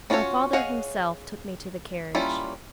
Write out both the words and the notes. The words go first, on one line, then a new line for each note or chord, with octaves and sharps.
My father himself took me to the carriage.
C#4 D4 F4 F#4 C#5
G#4 C#5 D#5 F5 F#5
G3 A#3 C#4 E4 F4